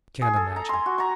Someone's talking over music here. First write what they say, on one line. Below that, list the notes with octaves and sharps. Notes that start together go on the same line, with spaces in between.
'Can't imagine.
G#4
A4
A#5
G#5 C6
F#4
A#5 C#6